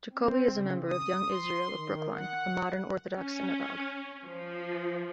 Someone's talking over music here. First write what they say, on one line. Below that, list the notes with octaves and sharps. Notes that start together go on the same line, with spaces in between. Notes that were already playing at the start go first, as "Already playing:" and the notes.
Jacoby is a member of Young Israel of Brookline, a modern Orthodox synagogue.
C4
C#3
D#6
C6
D#3
F#5
C#4
F3